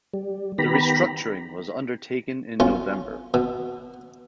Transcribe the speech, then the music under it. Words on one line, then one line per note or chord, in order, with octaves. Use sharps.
The restructuring was undertaken in November.
G3
D#3 B3 G4 A#5 B5
B1 C#4 F4
B2